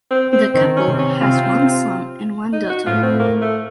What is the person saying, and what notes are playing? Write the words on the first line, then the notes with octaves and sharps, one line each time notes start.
The couple has one son and one daughter.
C4
C4
D#3 C4
C#4
C3 C4
C#4
C3 C4 F4
D#4
F#4
A2 A3 F4
C4
A#3
A3